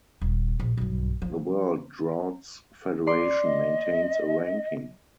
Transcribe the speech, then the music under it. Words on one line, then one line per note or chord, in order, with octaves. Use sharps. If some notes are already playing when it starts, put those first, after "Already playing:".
The World Draughts Federation maintains a ranking.
D#1
A#1
B1 G2
F3
D5 C6
D#5